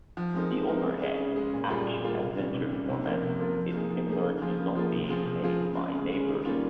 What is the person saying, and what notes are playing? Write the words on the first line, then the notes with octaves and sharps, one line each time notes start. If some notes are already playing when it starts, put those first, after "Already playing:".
The overhead, action-adventure format is similar to "Zombies Ate My Neighbors".
F3
G#3 C4 D#4 A#4
F3
G#3 C4 D#4 A#4
C#3
G#3 C#4 G#4
C#3
G#3 C#4 G#4
A#2
G3 A#3 F4 G#4
A#2
G3 A#3 F4 G#4
C3
D#3 G3 C#4
C3
D#3 G3 C#4
C3
F3 A#3 F4 A#4
C3
F3 A#3 F4 A#4
F3
A#3 D#4 G#4
F3
A#3 D#4 G#4
C#3
F3 A#3 F4 G#4
C#3
F3 A#3 F4 G#4
C3
F3 C4 F4 G#4
C3
F3 C4 F4 G#4
C#3
G#3 C#4
C#3
G#3 C#4
D#3
G3 A#3 C#4 F4